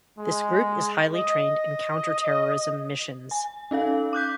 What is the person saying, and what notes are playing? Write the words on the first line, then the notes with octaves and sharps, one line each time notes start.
This group is highly trained in counter-terrorism missions.
G#3
D#5
G#5
C#4 D#4 A4 F5
D6 F#6 G6 B6